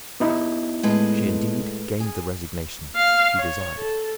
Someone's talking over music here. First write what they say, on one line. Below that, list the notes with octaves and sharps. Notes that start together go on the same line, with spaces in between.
She indeed gained the resignation she desired.
B3 D#4 E4
A2 G#3 B4
G#4
F5
C#5
A4